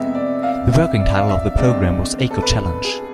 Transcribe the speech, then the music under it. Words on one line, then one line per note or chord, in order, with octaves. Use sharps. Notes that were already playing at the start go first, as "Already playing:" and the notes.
The working title of the programme was Eco-Challenge.
Already playing: F2 C3 G#3 B3 E5
D5
F5
E5
D5
F5
E5
E2 D3 G#3 C4 D5
A4
B4
G#4